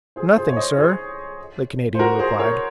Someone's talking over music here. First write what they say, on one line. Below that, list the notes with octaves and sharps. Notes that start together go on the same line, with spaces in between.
"Nothing, sir," the Canadian replied.
G#4 C5
G#4 C5
C#5
C5 D#5
G#4 C5
C5
F#4 A#4
G#4 C5
A#4 C#5